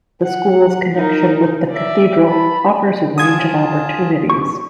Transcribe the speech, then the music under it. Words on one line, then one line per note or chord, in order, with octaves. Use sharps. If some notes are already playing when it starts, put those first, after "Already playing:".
The school's connection with the cathedral offers a range of opportunities.
F#5
D#4 A#4
D5 E5
A5 B5
F4 G#4 A5 D#6 G#6
C#6